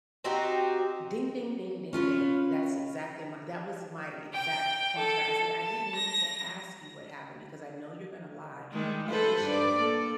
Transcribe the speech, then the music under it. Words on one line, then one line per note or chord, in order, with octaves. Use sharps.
Ding, ding, ding, ding, ding. That's exactly my that was my exact point to her, I said, "I didn't need to ask you what happened because I know you're gonna lie. And if she
C4 D#4 F#4 G4
C#4 F4 B4 C#5
G5
A4
A5
A#6
D#3 G3 G#3
A4 B4 C5
G2 D5
A#3 A4